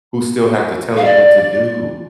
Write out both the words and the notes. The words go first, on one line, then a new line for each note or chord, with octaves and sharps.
who still have to tell it what to do.
F5
D5